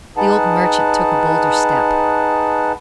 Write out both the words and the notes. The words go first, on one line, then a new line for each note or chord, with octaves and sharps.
The old merchant took a bolder step.
D#4 G#4 B4 F#5 A5